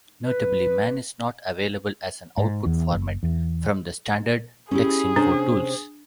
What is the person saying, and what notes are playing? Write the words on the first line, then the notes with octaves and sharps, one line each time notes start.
Notably, man is not available as an output format from the standard Texinfo tools.
B4
G#2
E2
F#1
E2
C#4 E4 G4 G#4
C3 C#4 D4 C5